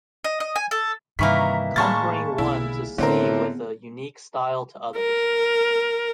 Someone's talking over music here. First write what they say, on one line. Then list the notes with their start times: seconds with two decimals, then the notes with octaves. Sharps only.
Conquering one to see with a unique style to others.
0.24 D#5
0.40 D#5
0.56 G#5
0.71 A4
1.19 G2 C3 D#3 E3 A#3 A#5 C#6 B6
1.76 A2 G3 G#3 A#3 A5 C#6 A6
2.38 B1 D3 E4
2.98 A2 D3 B3 C4 A#4
4.96 A#4